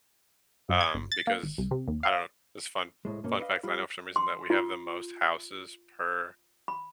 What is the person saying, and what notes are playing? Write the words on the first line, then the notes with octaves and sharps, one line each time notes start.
um, because I don't it's fun fun fact that I know for some reason that we have the most houses per,
F#2
G#6
G1
A6
A#3
G#1
C2
C3
D#2
F5
C2 A2 G#3
G2 B2 A#3 C#4
B4 D5 D#5 F5
G3 F4 B5
C6
F4
B5